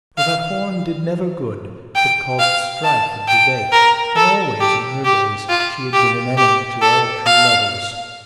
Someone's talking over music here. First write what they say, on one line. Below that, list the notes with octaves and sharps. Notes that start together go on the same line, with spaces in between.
For that horn did never good, but caused strife and debate, and always in her days she had been an enemy to all true lovers.
F5
G5
F5
A5
G5
A#4
A4
G4
G4
F4
G4
G4
A4
F5